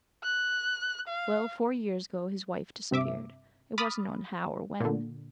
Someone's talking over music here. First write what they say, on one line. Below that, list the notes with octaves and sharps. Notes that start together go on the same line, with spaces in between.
Well, four years ago his wife disappeared--it wasn't known how or when.
F#6
F5
G2 C3 E5 D6
B5 D6 D#6 F6 A6
A#2 D3